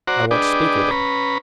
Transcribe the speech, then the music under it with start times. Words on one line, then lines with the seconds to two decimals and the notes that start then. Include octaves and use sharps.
"I want to speak with him."
0.07 F#4 C5 D5 F#5 A#5
0.31 D4 G#4 B4 D5 D#5 G5
0.91 C#4 B4 A#5 B5